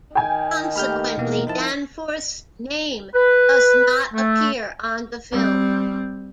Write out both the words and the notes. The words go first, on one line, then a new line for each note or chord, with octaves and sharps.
Consequently, Danforth's name does not appear on the film.
D#3 G5 G#5
A3 A#3 G4 B5 F6 G6
D#2 B2 E3 A#3 B3 A#4
F3 D#4 E4 A#4 A5
B4
A3
G3 C4